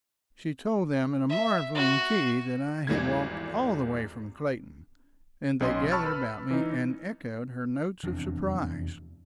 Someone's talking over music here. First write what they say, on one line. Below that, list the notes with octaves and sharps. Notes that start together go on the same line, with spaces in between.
She told them in a marveling key that I had walked all the way from Clayton, and they gathered about me and echoed her notes of surprise.
E5
F#4
G#1 E2 G3 A3 G#6
B1 C#4 D#5 C6
A5 B5 C#6 E6 F6 A6
B4 B5
E3 D#4
F1 E2 C4 D4